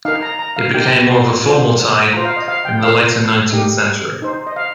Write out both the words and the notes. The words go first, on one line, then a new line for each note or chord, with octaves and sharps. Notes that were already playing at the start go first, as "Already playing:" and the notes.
It became more of a formal tie in the later nineteenth century.
D#4 A#4 F5
A#5
A#5
F5
D#4 G4 A#4 G5
G5
C6
F4 C5
F4 C5 A#5
F5
D#5
F5
G5
F4 A#4 F5
D#4 G4 A#4 D#5
D#4 C5
D#5
F5